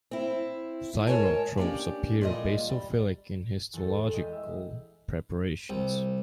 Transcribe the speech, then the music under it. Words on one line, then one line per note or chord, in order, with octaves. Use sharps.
Thyrotropes appear basophilic in histological preparations.
C4 E4
G#2 A#4 C#5 G#5 A5
A#3 C#4 D4 G4
A#2 F3 G3 G#3 D#5
G3
E2 A3 A4
G#3 G4 D#5
E5
C2